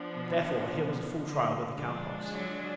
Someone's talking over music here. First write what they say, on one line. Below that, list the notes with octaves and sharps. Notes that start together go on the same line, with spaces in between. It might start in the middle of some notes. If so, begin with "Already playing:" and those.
Therefore, here was a full trial with the cow-pox.
Already playing: F3 B3 D4
B2
B2
D3
F3 G#3 D4 F4
F#3